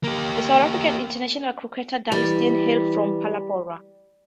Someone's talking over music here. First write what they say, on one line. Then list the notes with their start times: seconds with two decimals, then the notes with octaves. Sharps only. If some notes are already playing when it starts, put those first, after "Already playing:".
The South African international cricketer Dale Steyn hails from Phalaborwa.
0.04 A#3 G4
2.12 E3 G3